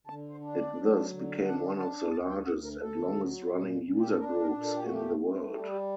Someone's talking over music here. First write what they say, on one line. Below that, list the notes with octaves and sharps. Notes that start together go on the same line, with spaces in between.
It thus became one of the largest and longest-running user groups in the world.
D3 A5
C5
D4
D5
F#3
D3
D4 F#5
D4 A5
D2 A5
G5
D2 F#5
A#4
D2 A4
F#3
A#2
A#2
G4
A4
D4 A#4
A#4
A#2
A4
G4
A3 F#4
G4
A3
G3 G4
G4